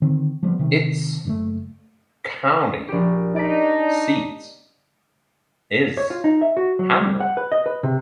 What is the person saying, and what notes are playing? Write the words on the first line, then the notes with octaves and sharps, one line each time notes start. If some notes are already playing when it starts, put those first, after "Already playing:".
Its county seat is Hamlin.
D3 D#3 C4
F3 G3 G#3 B3
C3 D#3
F#1 B2 A3
A#1 G4
D4 D#4 D5 B6
C#5
F4
D#4
E5
F#4
F#3
G3
F#5
B4
D#5
B4
C3